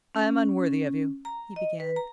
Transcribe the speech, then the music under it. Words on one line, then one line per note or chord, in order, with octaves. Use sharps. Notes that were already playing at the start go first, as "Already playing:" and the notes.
"I am unworthy of you," he began.
C#4
A#5
D#5
B4
A#5